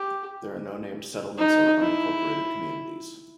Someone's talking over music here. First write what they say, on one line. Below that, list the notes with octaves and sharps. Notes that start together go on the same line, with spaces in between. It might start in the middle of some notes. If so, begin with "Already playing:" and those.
There are no named settlements or unincorporated communities.
Already playing: G4
D#4
E4